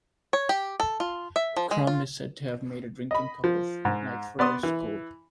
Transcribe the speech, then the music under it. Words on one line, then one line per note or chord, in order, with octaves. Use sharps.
Krum is said to have made a drinking-cup of Nikephoros' skull.
C#5
G4
A4
F4
E5
F3
G#3
F4
D#5 B5
F3
G#2
B3 D5 C6 D#6
E3